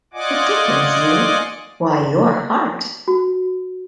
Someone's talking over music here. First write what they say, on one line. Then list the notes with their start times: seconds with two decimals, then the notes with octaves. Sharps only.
The dickens you — Why, you're Hart!
0.14 F4 D5 D#5 F#5 G#5 D6
3.08 F#4